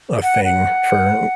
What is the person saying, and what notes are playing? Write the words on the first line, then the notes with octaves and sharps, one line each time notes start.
a thing for
F#5
F#5